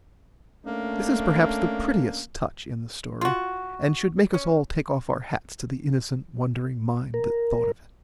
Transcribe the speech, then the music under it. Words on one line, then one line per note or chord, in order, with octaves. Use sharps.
This is perhaps the prettiest touch in the story and should make us all take off our hats to the innocent wondering mind that thought of it.
A3 A#3 C#4 D4
F4 F#4
C#4
A#4